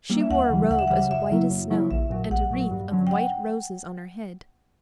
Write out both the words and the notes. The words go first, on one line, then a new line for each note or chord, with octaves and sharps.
She wore a robe as white as snow, and a wreath of white roses on her head.
G3 A#3 E4
E5
D2 F#5
C#3 E3 G3
D2 F#5
E5
C#3 E3 G3 F#5
F#2 E5
C#3 F#3 A#3 E4
F#2
C#3 F#3 A#3 E4
A#1 E5
A#2 F#3
A#1 F#5
A#2 F#3
G2
D3 F#3 C#4
G5
F#5